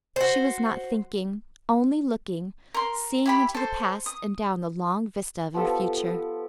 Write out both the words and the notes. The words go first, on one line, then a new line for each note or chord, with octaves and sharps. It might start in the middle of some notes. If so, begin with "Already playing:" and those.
She was not thinking, only looking, seeing into the past and down the long vista of her future.
F#4 C5
A#4 C6
E4 G4 B5
A4 C5
D#6
F3 B3 G4 A4